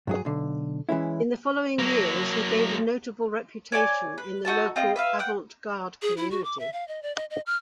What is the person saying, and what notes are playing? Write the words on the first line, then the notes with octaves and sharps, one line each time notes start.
In the following years, he gained a notable reputation in the local avant-garde community.
G2 F#3 G#4
B1 D3
E3 G#3 C#4 E4
F#3 A#3
C#5 D5 G#5
B4
D#4 F#4 A4 A5
C4 F4 D#5
B4 E5 F5
F#5 G5
G#4
E4
F#4
D6
E5
F5
D#5
D5
D#5
D#5
F6